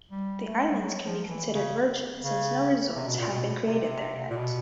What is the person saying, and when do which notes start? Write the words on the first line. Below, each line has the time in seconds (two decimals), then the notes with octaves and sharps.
The islands can be considered virgin since no resorts have been created there yet.
0.11 G3
0.46 A3
0.58 G#3
0.70 G3
0.82 F#3
1.05 F3
1.28 E3
1.52 C#3
2.24 C#3
2.95 C3
3.07 B2
3.19 A#2
3.31 B2
3.66 C3
4.30 A#2
4.37 B2